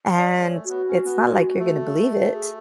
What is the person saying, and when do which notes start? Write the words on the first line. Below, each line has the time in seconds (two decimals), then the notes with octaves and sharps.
And it's not, like, you're gonna believe it.
0.16 C#4 D5
0.34 G#3
0.40 C#5
0.52 A3
0.64 F#4
0.70 B3
0.88 C#4
1.05 B3
1.24 G#3
1.59 A3
2.17 F#4
2.31 G#4